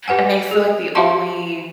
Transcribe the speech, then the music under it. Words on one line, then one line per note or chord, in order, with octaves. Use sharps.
and they feel like the only
G4 B4 F#5 G#5
G#4
F#4 G4 E5 A5 C6